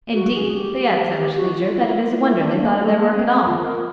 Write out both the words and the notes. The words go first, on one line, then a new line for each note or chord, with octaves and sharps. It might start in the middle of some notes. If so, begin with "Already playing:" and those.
Indeed, they had so much leisure that it is a wonder they thought of their work at all.
F#4
G#4
G4
G4
F#4
F4
E4
F4
E4
D4
A#3
A3
A#3
C4
C4
F4
A#4